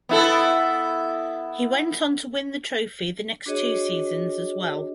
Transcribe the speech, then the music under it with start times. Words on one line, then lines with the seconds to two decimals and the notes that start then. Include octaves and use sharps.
He went on to win the trophy the next two seasons as well.
0.09 B3 E4 A4
3.46 D4 F#4 G#4 C#5 D#5